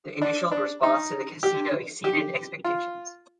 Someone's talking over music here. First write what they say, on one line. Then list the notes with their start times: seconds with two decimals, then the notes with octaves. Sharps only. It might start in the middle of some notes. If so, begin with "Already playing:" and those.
The initial response to the casino exceeded expectations.
0.22 D4
0.51 D4
0.83 D#4
1.43 G4
2.04 G4
2.64 F4